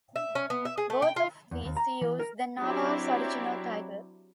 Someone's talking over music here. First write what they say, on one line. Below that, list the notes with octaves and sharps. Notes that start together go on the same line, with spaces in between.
Both of these used the novel's original title.
E5
C#4
B3
E5
G#4
A3
G5
F4
E2
D#2
A#5
E3
A#4
F#3 C4 D4 E4 G4